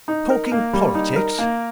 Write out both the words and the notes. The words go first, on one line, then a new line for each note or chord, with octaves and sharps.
"Talking politics?"
D#4
A#4
A#3
G3
D#4
A#4
A#3